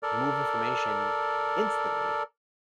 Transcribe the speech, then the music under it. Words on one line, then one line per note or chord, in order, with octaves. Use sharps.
move information instantly,
A4 A#4 D5